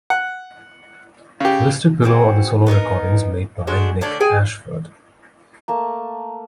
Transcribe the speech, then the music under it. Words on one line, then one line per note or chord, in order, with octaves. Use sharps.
Listed below are solo recordings made by Nick Ashford.
F#5
C#3 G4
E3 C4 F#4 G#4
B3 D#4 G#4 A#4
G#3 A3 D4 F#4
D3 A3 C#4 D4
G#4 G5 G#5
A3 A#3 A5 A#5